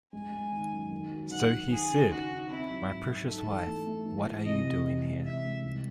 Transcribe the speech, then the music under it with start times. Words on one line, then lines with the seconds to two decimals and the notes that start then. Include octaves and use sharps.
So he said, "My precious wife, what are you doing here?"
0.13 G#3 G#5
0.32 G#3
0.52 D#3
0.72 F#2
0.91 D#3
1.11 F#3
1.31 D#3 F#5
1.51 D#3
1.70 D#4 G#4
1.90 C#3
2.10 D#4 F#4
2.30 D#4
2.49 C4 E4
2.68 F#3
2.88 G#2
3.08 F#3
3.27 D#4 A4
3.47 E3
3.67 A3
3.86 A3
4.06 E3
4.26 E3
4.45 C3 D#5
4.65 C3
4.86 E3
5.04 G#3
5.24 C3 E5
5.44 G#3
5.63 C2